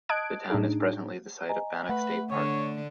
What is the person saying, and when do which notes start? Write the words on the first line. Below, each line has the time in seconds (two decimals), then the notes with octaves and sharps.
The town is presently the site of Bannack State Park.
0.09 D#5 A5 D#6 F#6 G#6 D7
0.50 A2 D4 D#4 G#4
1.49 D#5 G#5 A#5
1.89 A3 B4 F#5
2.31 D3 D4 C#5